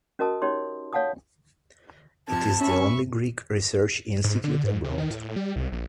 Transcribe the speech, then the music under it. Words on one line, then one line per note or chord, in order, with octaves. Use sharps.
It is the only Greek research institute abroad.
C#4 F#4 A#4 D#5 A5 D#6
C#4 D#4 G4 C#5 C6
C#5 F5 F#5 A5 D#6
C3 F3 A5 G#6
C#4 E5 B5 C#6
G#2
D3
G#2
C3
D#3
A2
G3
C2
A#1